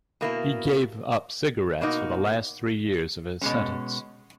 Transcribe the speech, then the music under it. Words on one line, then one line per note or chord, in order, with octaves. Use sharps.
He gave up cigarettes for the last three years of his sentence.
B2 A#3 E4
B2 A#3 D#4 F#4
B2 G#3 C#4